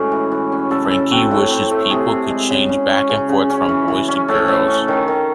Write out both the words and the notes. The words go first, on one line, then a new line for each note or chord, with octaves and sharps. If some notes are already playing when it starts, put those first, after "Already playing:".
Frankie wishes people could "change back and forth from boys to girls".
Already playing: A2 G#3 C#4 F#4
E3
E3
C#4
C#3 A4
C#3 A4
C4 F#4
A2 E4
C4
A3
C3 G#4
C3
G#3
C#3
C#3
C#4
C#3
C#3
C#4
E3
E3
C#4
A2 A4
A2
C#4
D#3
D#3